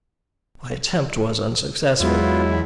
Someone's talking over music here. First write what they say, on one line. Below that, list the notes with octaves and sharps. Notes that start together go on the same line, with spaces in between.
My attempt was unsuccessful.
E2 F#3 G#3 B3 E4 F4